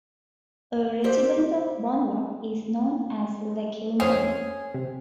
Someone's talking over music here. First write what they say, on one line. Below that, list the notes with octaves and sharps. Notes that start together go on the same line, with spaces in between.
A resident of Bonloc is known as a 'Lekuindar'.
G4 C5 D5
F2 C#4 G#4 C5
C3